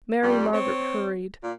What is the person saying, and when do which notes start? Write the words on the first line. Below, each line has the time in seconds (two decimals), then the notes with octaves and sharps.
Mary Margaret hurried.
0.23 F2 G3
0.53 C4 C#5
1.42 A#2